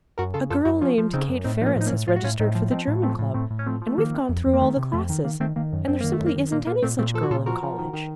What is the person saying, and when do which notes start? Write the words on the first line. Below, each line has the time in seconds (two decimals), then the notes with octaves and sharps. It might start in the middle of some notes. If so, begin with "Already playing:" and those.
"A girl named Kate Ferris has registered for the German Club, and we've gone through all the classes, and there simply isn't any such girl in college."
0.18 F#2 F#4 A#4
0.34 C#3 F4 A4
0.50 F#2 F4 A4
0.65 F#2 D#4 F#4
0.81 F3 C#4 F4
0.98 F3
1.13 C#3 C4 D#4
1.28 F#2
1.44 A2 C4 D#4
1.61 F3 D#4
1.66 A#3 C#4
1.76 A2 D#4
1.86 A#3 C#4
1.93 A2
2.08 A2 F4
2.16 F#4
2.23 A2 C#4 F4
2.40 A2 C4 D#4
2.55 F3
2.71 F3 C4 D#4
2.88 A2
3.03 F3 A3 C4
3.19 A2
3.34 A2 A3 C4
3.50 A2
3.59 C#4
3.66 F3 A3 C4
3.82 F3
3.87 A3
3.98 D#3 A#3
4.14 C3
4.29 F2
4.46 F2
4.53 A#3
4.61 D#3 A3
4.77 C3
4.93 F2 A3
5.10 D#3
5.24 D#3 A#3
5.40 D#3 A3 C4
5.56 D#3 A#3
5.73 F#2
5.88 F#2 C4
6.01 D#3 A#3
6.13 A3
6.19 F#2
6.26 A#3
6.36 D#3
6.52 A#2 A#3
6.67 A#2 A#3
6.82 A#2 A3 C4
6.99 A#2 A3 C4
7.14 F3 A4
7.23 F#4
7.31 A#2 F4 A4
7.46 F3 F#4 A#4
7.63 F3
7.79 D#3
7.94 D#3